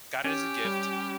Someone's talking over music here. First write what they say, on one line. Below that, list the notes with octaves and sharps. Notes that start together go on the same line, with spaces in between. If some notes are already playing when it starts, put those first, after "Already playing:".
Got it as a gift,
C#4 G4
G3